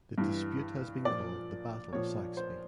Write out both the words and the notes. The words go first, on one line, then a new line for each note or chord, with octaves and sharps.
The dispute has been called the "Battle of Saxby".
G2 E3
A#2 F3 D5
A#2 F3 C#5
C5